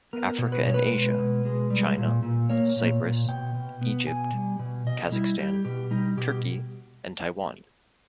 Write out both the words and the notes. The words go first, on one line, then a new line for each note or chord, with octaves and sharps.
Africa and Asia: China, Cyprus, Egypt, Kazakhstan, Turkey and Taiwan.
B3 A#4
B2
B4
B2 C#5
B4
G#3
B2
G#3
G3
A#2
A#2
A#3 C#5
A#2
A#2
B2 G5
B2
B3
B2 G#5
G3
B2
B2 D#5
G3 E4
G3 G4
B2 G4
G3 D#4
B2 G4